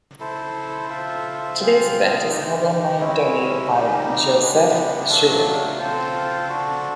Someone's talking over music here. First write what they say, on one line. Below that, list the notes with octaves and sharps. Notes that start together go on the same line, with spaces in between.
Today's event is held on land donated by Josef Pschorr.
E4 A4 C5
F4 A4 C5 E5
C4 F4 G#4
D#4 G4 A#4
G#3 C#4 E4
G3 A#3 D#4 G4
G#3 B3 D4 G4
F#3 A3 D4 F4
C4 F4 A4 C5
D4 F#4 A4